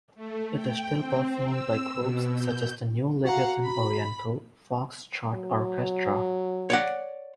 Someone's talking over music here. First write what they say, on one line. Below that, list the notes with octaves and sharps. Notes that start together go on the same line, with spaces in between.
It is still performed by groups such as the New Leviathan Oriental Fox-Trot Orchestra.
A3
G5
C4
E6
B2
G6
F#4 F5 F#5 A#5
B5
F#3
C#5 D5 F#5